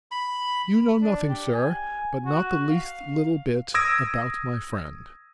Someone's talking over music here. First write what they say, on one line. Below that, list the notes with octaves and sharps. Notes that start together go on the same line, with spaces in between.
"You know nothing, sir--but not the least little bit--about my friend."
B5
D4
G4
G#5
F#4
F5
D#6 E6 G#6 A#6 D7